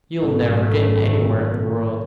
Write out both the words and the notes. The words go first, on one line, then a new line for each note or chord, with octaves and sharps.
You'll never get anywhere in the world.
G#1 F#2 A3